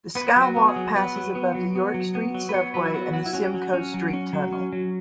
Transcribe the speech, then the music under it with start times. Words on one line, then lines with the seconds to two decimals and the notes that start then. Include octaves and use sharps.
The SkyWalk passes above the York Street 'subway' and the Simcoe Street Tunnel.
0.15 B3 B4
0.36 F#3
0.42 F#4
0.56 B3
0.68 G#4
0.76 F#3
0.95 B3 B4
1.16 F#3
1.35 B3
1.55 F#3
1.75 B3
1.94 F#3
2.15 B3
2.34 F#3
2.49 B4
2.54 B3 C#5
2.74 F#3 B4
2.86 E4
2.94 B3 F#4
3.13 F#3 F#4
3.26 E4
3.33 C#4 F#4
3.54 F#3
3.73 C#4
3.94 F#3
4.13 C#4
4.33 F#3
4.53 C#4
4.73 F#3